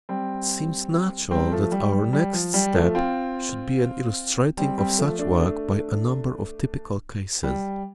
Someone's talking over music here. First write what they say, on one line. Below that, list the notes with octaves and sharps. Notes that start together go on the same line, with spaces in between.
It seems natural that our next step should be an illustrating of such work by a number of typical cases.
G3 C4
G3 C4
F3 A3
G3
G3
G3
F3
G3
F3 A3
C4 F4
G3 C4
G3 C4
F3 A3
A3 D4
A3 D4
G3